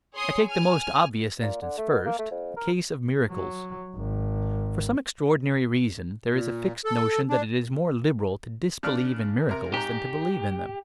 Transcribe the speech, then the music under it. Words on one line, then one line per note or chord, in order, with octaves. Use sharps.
I take the most obvious instance first, the case of miracles. For some extraordinary reason, there is a fixed notion that it is more liberal to disbelieve in miracles than to believe in them.
G#4 C#5 C6 D#6
G#5 F6
A#2
D3
A3
B2
A#3
A3
F2
A#4
F#3
G#1
A#2
A4
D4
C#3 D4 F6
C3 A#4
G#2 G4 A#5